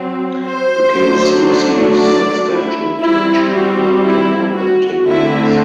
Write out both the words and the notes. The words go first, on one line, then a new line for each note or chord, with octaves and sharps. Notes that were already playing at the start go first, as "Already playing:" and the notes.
The case receives substantial attention even after more than ten years.
Already playing: F#3 C4
C5
D3 F#3 A3 D4
D5
E4
G3 C4 E4
F#4
E4
F#4
D3 A3 C4 E4